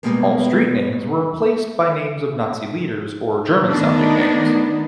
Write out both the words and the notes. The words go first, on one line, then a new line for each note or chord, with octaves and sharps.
All street names were replaced by names of Nazi leaders or German sounding names.
B2 F3 G3 G#3 A#3 B3
D#3 A3 B3 D4 D#4